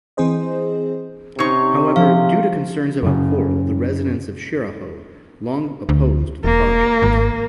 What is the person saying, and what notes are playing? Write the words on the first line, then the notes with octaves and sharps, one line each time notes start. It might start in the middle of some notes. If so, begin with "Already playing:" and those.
However, due to concerns about coral, the residents of Shiraho long opposed the project.
E3 C4 G#4 C5 D#5
C3 C#4 D#4 C5 C#5 C#6
F3 F5
F#2 C#3
D2
E1 A#3
G#1